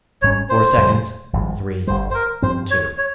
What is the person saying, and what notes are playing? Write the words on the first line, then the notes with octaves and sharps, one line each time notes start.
Four seconds ... three ... two....
G#1 G#2 G3 C#4 C#5
C5
F2 C#3 G3
G#1 G2 F3 G#3
G1 G2 G3 C5
C5
A#4
G2 F3 C4 C5
C#5
C#5